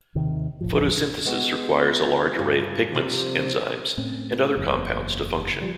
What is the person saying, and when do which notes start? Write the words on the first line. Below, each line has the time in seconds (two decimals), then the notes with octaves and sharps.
Photosynthesis requires a large array of pigments, enzymes, and other compounds to function.
0.15 D#2 C3 D#3
0.61 E1 A1 A2 F3
1.25 G#3 B3 F#4
2.39 G2 C#4
2.95 C3 F3 G3
3.97 A2 C4 C#4
4.57 F#1 E2
5.61 F3 G3